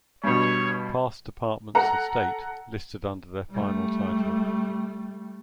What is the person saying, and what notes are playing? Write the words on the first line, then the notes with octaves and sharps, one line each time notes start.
Past Departments of state, listed under their final title.
G2 B2 C#5
A4 F#5 A#5
G3 A3